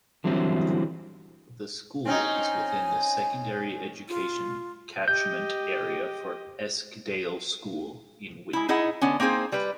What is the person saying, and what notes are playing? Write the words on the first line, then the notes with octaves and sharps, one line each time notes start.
The school is within the Secondary Education catchment area for Eskdale School in Whitby.
D3 E3 F#3 G3 C4 E4
C4 C#4 D#4 G#5
F4
G4 D#5 G6
G#3 E4
D#4 E4 G#4 D#5 F#5
D3 B3 C#4
A#3 C4 D#4 G#4 C5
G3 B4